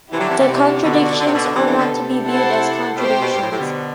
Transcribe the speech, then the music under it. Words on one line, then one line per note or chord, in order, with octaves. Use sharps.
The contradictions are not to be viewed as contradictions.
C3 E3 E4 G4 D5 F#5 A5
D3 F#3
C3 E3
B2 D3
C3
B2 D3 F#4 A4 D5
D3
C3
B2 D3
C3 E3 B3 D4 A4
C3 E3
B2 D3
C3
E4 A4 C5 F#5 A5
B2 G4 C5 G5
C3
B2
G2
A2
A2
B2 D3